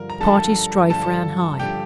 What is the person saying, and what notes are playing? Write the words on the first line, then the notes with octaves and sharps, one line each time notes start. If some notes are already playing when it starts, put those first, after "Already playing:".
Party strife ran high.
Already playing: G2 D3 F3 A#4
A#5
G2 D3 F3 A4 A5
G2 D3 F3 A4 A5
G2 D3 F3 G4 G5